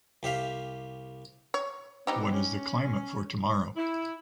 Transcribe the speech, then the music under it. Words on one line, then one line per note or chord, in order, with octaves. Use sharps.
What is the climate for tomorrow?
C2 G4 E5 F5
C#5
G3 B3 C4 D#4 G4
C#4
E4